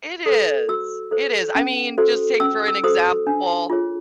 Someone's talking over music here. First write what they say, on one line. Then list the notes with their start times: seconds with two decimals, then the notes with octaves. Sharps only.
It is, it is I mean, just take for an example,
0.26 A4 C5
0.69 F#4 E6
1.11 A4 C5
1.55 C#4
1.98 F#4 A4 C5
2.40 C#4 E6
2.68 E6
2.83 F#4 A4 C5 D#6
3.27 D4
3.70 F4 G#4 C#5